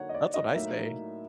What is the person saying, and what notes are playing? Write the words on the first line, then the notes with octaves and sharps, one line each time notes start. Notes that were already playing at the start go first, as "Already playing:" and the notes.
That's what I say,
Already playing: D3 F#3 A#3 D#4 C#5 F#5
D#5
D5
D#5
A2 F#3 A#3 D#4 E5